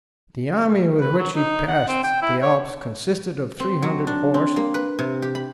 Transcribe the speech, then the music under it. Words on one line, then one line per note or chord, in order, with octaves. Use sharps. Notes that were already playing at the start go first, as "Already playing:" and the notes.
The army with which he passed the Alps consisted of three hundred horse.
B4
F#3
D#4
F#5
C4
G5
E4
C#5
C4
F#3
D4
C4
A#3
B4
C3
G4
B5